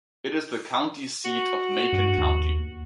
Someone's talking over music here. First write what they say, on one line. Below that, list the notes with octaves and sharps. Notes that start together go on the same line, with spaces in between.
It is the county seat of Macon County.
F#4
G2
D#2